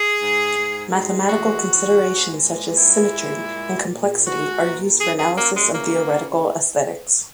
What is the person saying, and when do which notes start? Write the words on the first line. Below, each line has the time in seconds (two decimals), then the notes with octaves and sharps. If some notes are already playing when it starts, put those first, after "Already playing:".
Mathematical considerations, such as symmetry and complexity, are used for analysis in theoretical aesthetics.
Already playing: G#4
0.18 G#2
0.56 G#2
0.93 G#3
1.30 E3 F#4
1.67 G#2
2.04 G#3
2.41 A#2
2.78 G#3 E4
3.15 A#2
3.53 G#3
3.89 A#2
4.27 G#3 F#4
4.63 A#2
5.01 F#2 G#4
5.19 G#4
5.38 F#3 A#3
5.56 G#3
5.74 C#3 A#3